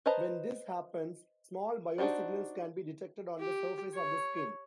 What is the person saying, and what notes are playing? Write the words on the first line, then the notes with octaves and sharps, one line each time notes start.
When this happens, small biosignals can be detected on the surface of the skin.
B4 C5 D#5 A5 A#5
D4 D#4 F#4 C5 D5
G4
C#5